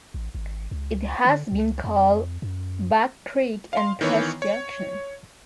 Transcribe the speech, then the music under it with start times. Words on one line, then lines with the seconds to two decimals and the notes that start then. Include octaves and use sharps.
It has been called Back Creek and Cross Junction.
0.14 A1
0.35 G#1
0.71 C#2
1.25 D3
1.52 C#2
1.84 F2
2.42 F#2
3.73 F5 C6
4.01 D#3 E3 B3 C#5
4.42 C#5